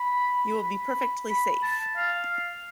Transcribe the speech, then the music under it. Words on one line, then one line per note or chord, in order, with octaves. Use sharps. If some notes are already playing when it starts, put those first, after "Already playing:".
You will be perfectly safe.
Already playing: B5
B5
B5
A5
F5